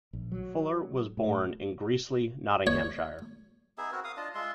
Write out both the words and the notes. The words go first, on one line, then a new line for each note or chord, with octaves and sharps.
Fuller was born in Greasley, Nottinghamshire.
A#1
F#3
A2
C#5
B3 D#4 G#4 E5
C4 F#4 A#4
F5 D#6
D4 F4 D#5 A5
G#3 F4 E5 C6